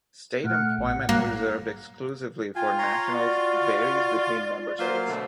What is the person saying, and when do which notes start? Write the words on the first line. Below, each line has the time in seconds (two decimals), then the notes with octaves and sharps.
State employment reserved exclusively for nationals varies between member states.
0.44 A#2 A3 F#5 F6 F#6 D7
0.79 A1 F#5
1.09 F#3 A#3 A#4 F#6
2.56 F4 G5 G#5
2.79 C#5 A#5 C6
3.14 F#4 D5
4.79 F#3 A#3 F4 B4 C5 F5
5.08 B2 D3 A3